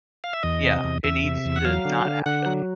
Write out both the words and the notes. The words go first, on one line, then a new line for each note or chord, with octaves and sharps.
yeah, it needs to not happen.
F5
E5
E2 D#5
C3
E2
E2 E5
C3
E2
F#5
F#3 F5
D3
D3
D3 F#5
F#3